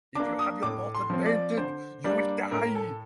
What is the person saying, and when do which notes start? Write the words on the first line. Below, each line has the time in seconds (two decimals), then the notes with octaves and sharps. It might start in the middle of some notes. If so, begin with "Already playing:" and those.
If you have your portrait painted, you will die.
0.15 A#3 D4 D6
0.39 D#6
0.63 A2 D6
0.95 C6
1.10 F3 C4
1.26 D5
1.57 D3 C5
2.04 G3 A#3 D4 D5
2.51 A2 A#4
2.75 A4